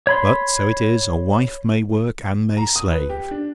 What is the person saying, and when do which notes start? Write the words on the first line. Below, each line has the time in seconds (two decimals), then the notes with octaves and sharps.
But so it is: a wife may work and may slave!
0.07 C#5 B5 C6
2.57 A#5
2.76 D#6
2.90 B4
3.09 G4
3.31 D4